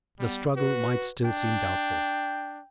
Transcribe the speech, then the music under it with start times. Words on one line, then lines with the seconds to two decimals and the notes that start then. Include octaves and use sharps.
The struggle might still seem doubtful.
0.19 G3 B3
0.57 F#4 B4
1.24 D4 G5